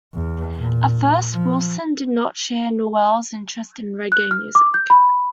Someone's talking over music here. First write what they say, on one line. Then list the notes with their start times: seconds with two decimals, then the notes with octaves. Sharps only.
At first, Wilson did not share Nowell's interest in reggae music.
0.14 E2
0.57 A#2
1.32 F3
4.12 F#6
4.31 F6
4.55 D6
4.74 G6
4.90 B5